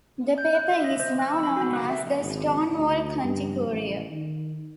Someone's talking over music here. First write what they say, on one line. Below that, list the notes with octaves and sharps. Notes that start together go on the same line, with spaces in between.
The paper is now known as the "Stonewall County Courier".
G6
F#6
E5
D#5
C5
F#6
E6
B5
F#4
F#6
E5
G#1
D2
G2
A1
D#3